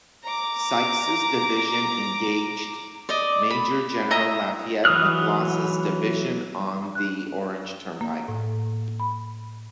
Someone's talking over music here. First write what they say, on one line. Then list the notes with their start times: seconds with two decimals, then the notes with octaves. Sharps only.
Sykes' division engaged Major General Lafayette McLaws' division on the Orange Turnpike.
0.24 A#5 D6
3.09 D5 D#5
3.50 B5
4.11 E4 D#5 E5 A#5
4.85 E3 F#3 D#6 F6 F#6
6.95 F#6
8.01 A#3
8.28 A2
9.00 B5